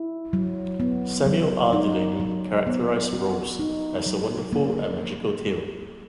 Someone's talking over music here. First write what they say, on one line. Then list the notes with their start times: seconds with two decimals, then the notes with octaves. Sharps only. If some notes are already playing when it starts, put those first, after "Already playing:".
Samuel R. Delany characterized "Rose" as a "wonderful and magical tale".
Already playing: E4
0.33 F#3
0.80 B3
1.26 F#3
1.73 D#4
2.20 F#3
2.67 B3
3.13 F#4
3.59 D#4
4.06 F#3
4.53 A#3